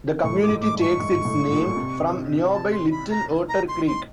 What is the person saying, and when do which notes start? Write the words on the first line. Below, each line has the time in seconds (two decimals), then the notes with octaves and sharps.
The community takes its name from nearby Little Otter Creek.
0.24 A2 C#6
0.43 D6
0.49 G#2
0.61 D6
0.75 G2
0.81 C#6
1.00 G#2
1.25 A2
1.51 A#2
1.76 C3
2.53 A5
2.72 C6
2.92 B5
3.11 A#5
3.49 A#5
3.68 C6
3.87 C6